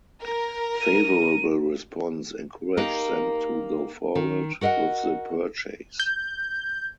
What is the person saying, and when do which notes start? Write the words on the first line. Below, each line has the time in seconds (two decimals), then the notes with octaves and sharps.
Favorable response encouraged them to go forward with the purchase.
0.23 A#4
0.81 D#7
2.77 A#3 D#4 G4 A#4
4.15 D#3
4.61 F#4 A#4 D#5 F5 F#5
6.00 G6